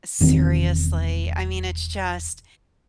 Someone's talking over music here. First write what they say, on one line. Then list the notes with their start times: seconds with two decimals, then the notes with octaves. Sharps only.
Seriously. I mean, it's just
0.21 E1 D#3 C4